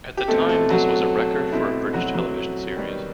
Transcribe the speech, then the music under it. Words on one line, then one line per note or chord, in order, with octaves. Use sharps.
At the time this was a record for a British television series.
G4
B2 A3 C4 A4
A3 A4
F#3 F#4
B2 A3 C4 E4
F#3 F#4
F#3 F#4
D#3 G3 B3